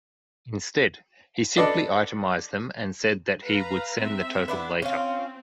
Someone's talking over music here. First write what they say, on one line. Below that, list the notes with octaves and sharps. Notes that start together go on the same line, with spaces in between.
Instead, he simply itemised them, and said that he would send the total later.
D4 A4 B4 D5 D#5
B4 F5 A#5
C4 E5
B3 D4 E4
C4 C#4 F4